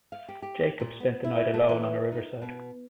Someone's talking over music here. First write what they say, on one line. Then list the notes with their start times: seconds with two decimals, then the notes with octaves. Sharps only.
Jacob spent the night alone on a riverside.
0.12 F5
0.28 G4
0.42 G4
0.80 A#2
1.00 B3
1.24 E4
1.54 A3
1.69 E3
2.12 D#4
2.42 B2